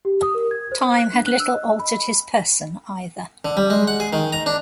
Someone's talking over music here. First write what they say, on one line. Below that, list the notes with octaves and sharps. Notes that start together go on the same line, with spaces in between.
Time had little altered his person either.
G4
D#6
A#4
G#6
C5
F#6
D4
F#6
E6
D#5
B5
D3
G3
G#3
F#5
G#4
D#3
A#5
D4